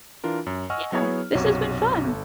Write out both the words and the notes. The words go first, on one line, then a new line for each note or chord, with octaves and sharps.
Yeah, this has been fun.
E3 D4 F4 A#4
F#2
D#5 F#5 G#5 C#6 E6 F6
F#3 B3 E4 G#4 C#5
B1 F#2 C3 F#4 C#5 D6
G1 A4